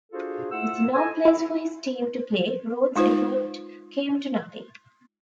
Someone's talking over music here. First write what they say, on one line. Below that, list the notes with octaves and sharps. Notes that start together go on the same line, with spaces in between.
With no place for his team to play, Rhodes' effort came to nothing.
D4 F4 F#4 G#4 A4 C5
A3 E4 F4 F#5 E6
E4 A4 C5 D#5 G#5
E4 E5
G#3 D#4 F4 B4 C5